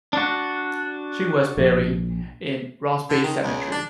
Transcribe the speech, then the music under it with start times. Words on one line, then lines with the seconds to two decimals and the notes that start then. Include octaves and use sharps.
She was buried in Ross Bay Cemetery.
0.13 D4 F#4
1.57 A#1
3.09 D3
3.23 D#3
3.43 C#2
3.72 D4